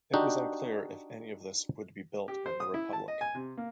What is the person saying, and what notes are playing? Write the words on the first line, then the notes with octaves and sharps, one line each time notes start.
It was unclear if any of this would be built in the Republic.
D4 D#4 F#4 G4
G4
C5
D#6
E4
A5
D#5
G#5
C3
A#3